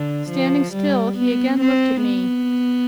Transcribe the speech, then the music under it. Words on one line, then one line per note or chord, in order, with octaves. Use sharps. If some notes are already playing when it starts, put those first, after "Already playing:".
Standing still, he again looked at me.
Already playing: D3
F3
G3
B3
C4
B3